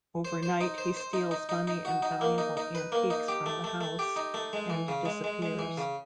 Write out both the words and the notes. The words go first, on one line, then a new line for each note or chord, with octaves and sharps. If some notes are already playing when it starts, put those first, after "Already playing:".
Overnight he steals money and valuable antiques from the house and disappears.
C5
C5
D#4
C5
C5
D#4
D#4
D#4
D#4
F#4
D#4
A#3
D#4
D#4
B4
A#3
D#4
G4
A3
A3
A3
G4
D#4
A3
G#3
E3
C#3
G#3
G#3
G#3
E3
C#3